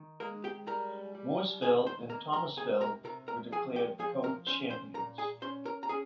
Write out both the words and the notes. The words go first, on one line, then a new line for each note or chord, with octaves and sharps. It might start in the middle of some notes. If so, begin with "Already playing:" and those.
Mooresville and Thomasville were declared co–champions.
Already playing: D#3
G#3 A#3 A#4
G4 G5
G3 A#4 A#5
G3
D#3 G#4 G#5
C5 C6
A#3 A#4 A#5
A#4 A#5
C3 G#4 G#5
A#4 A#5
C3 A#4 A#5
A#4 A#5
F3 G#4 G#5
G4 G5
F3 G#4 G#5
A#4 A#5
C#4 C5 C6
C5 C6
A#2 A#4 A#5
G#4 G#5
C#4 C5 C6
A#4 A#5
A#5
C#4 G#4 G#5